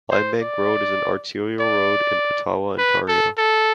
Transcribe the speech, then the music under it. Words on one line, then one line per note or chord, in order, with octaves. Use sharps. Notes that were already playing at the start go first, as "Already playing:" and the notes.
Limebank Road is an Arterial road in Ottawa, Ontario.
C5
D5
D5
B4
A4
A4